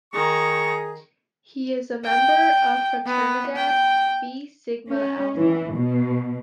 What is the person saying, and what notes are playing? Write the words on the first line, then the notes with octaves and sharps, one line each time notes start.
He is a member of Fraternidad Fi Sigma Alfa.
D#3 G#4 A#5 C#6
G5
B3
G5
C#4
E3
B2